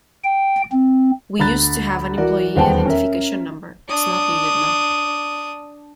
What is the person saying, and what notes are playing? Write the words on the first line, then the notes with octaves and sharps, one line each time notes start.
We used to have an employee identification number, it's not needed now.
G5
C4
D2 A#5 B5 F#6 A6
E3 F#4 A#4 D5
D#1 E2 B3 C5 G5 A5
C#4 A#4 E5
D4 D#6